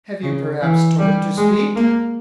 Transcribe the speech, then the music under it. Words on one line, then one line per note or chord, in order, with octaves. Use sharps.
"Have you perhaps taught him to speak?"
C#3
E3
G3
G#3
A#3